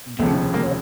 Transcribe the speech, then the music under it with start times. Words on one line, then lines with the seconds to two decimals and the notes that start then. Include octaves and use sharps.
do you feel
0.19 F1 D#2 C#3 F3 A3
0.54 A#3